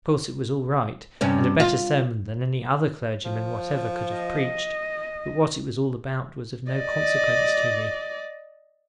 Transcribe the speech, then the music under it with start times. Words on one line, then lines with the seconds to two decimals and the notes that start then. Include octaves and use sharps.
Of course it was all right, and a better sermon than any other clergyman whatever could have preached, but what it was all about was of no consequence to me.
1.21 G2 C3 C#4
1.60 F4
3.25 F3
4.16 D#5
6.71 D5 D#5